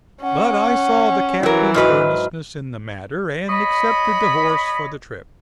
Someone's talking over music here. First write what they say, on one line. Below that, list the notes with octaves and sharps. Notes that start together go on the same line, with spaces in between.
But I saw the Captain's earnestness in the matter, and accepted the horse for the trip.
C#4 F#5
E3 F#3 A#4
G#2 F#3 F#4 B4 D#5 F6
C#5 D#5 B5